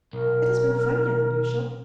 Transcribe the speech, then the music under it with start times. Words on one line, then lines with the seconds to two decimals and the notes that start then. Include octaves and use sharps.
It has been funnier than usual.
0.13 B1 A#4